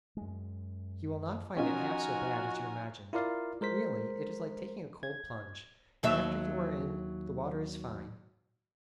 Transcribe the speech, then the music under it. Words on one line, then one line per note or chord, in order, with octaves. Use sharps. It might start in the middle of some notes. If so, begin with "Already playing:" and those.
You will not find it half so bad as you imagined; really, it is like taking a cold plunge: after you are in, the water is fine.
F#2 G#3
F3 C#4 D#4 F4 F#4 A#4 G#5
E4 F4 A#4 D5 F5
G#3 A#4 C5 B6
G#6
D#2 F#3 E5